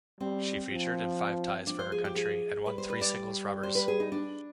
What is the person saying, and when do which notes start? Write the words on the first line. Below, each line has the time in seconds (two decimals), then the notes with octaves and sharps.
She featured in five ties for her country and won three singles rubbers.
0.20 G3 C4
0.70 F3
1.67 F3 D4
1.79 C5
1.92 G#4
2.05 G4
2.16 G#4
2.65 G3 B4
2.78 C5
2.90 B4
3.01 D5
3.63 C5
3.75 B4
3.88 G#4
4.00 D#4
4.12 D4